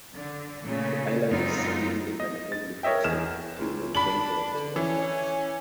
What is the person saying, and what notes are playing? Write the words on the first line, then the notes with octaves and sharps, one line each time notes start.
The island is hilly and heavily forested, with few maintained roads or paths.
D3
A#2 C#3 A3
F#2 G#3 B3 C4 D#4 F4
D#5
A6
A#4 C#5 D#5 E5 G5
E2 G#4 F6 E7
C#2
D4 B5 F#7
D3
E3 C#4